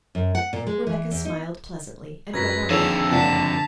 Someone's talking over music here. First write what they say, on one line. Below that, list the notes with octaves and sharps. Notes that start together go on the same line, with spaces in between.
Rebecca smiled pleasantly, and went on.
F#2
F#5
A#2
G#3
E3
E2
D#4
F#2 B4 G#6 A#6 B6
F2 D3 D#3 G#4 A4 C#5 E7 F7
F#1 D5 F#5 A5 B6 C7 E7